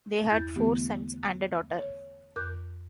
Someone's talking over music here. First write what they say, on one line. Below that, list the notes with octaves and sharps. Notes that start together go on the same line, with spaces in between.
They had four sons and a daughter.
E2 G2 E4 G6 A6
D3 E3 A3 B3 G4
C#5
F2 A#4 D6 F#6 G6